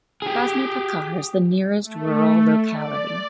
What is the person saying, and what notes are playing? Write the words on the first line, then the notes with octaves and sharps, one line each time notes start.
Krasny Pakhar is the nearest rural locality.
G4 G#4
A3
D5